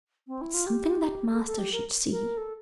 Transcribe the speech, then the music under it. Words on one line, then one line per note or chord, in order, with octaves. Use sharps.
"It's something that master should see."
C4
E4
F4
G4
A4
A4
G4
A#4
A#4
A4